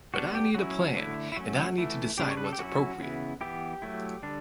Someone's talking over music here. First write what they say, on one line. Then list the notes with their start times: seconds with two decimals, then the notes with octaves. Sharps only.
But I need a plan, and I need to decide what’s appropriate.
0.14 G3 B3 D4 F#4
0.35 G4
0.54 F#3 C#4 E4 F#4
0.97 D3 A3 E4
1.32 E4
1.37 F#3 A3 C#4 F#4
1.78 E3 A3 E4
2.18 C#3 G3 D4 G4
2.30 C#5
2.37 B4
2.44 A4
2.53 G4
2.59 F#3 C#4 E4 F#4
3.00 C#3 E3 B3 E4
3.41 E3 B3 E4 G4
3.82 F#3 A3 E4
4.23 D3 G3 D4